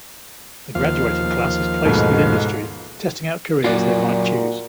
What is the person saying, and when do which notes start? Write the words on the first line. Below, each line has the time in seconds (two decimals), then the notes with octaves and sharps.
The graduating class is placed with industry, testing out careers they might choose.
0.75 D#2 F3 F5
1.85 G#2 B2 A3
3.64 A#2 F#3 A#3 F4 F#4 D5